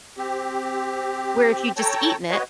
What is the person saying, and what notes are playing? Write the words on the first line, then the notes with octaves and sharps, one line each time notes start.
where if you'd just eaten it
C4 G4
A4 C#5 G5 A5 A#5
F#4 B4 C#5 D#5